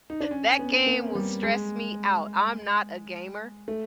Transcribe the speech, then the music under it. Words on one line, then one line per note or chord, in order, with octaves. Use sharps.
That game will stress me out, I'm not a gamer.
D#4
D4
C#4
C#4
B3
C4
A#3
G3
G#3
A3